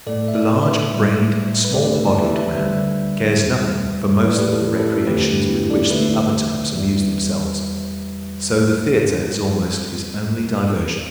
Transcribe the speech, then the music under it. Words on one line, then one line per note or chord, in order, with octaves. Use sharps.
The large-brained, small-bodied man cares nothing for most of the recreations with which the other types amuse themselves, so the theater is almost his only diversion.
A2 A3 A4 D5
E5
A4 D5
B4 E5
A2 G3
B4
D2 D3 A3 A4 D5
A4
G4 B4
D5
B4 E5
B4 E5
D2 D3 G3 B4 E5
E2 E3 G3
A2 E3 A3 B4
D5
G4 B4
E4 A4
E4 A4
E2 D3 A3 G4 B4
D4
B3 E4
A4 D5
D2 D3 A3 B4 E5
E2 E3 G3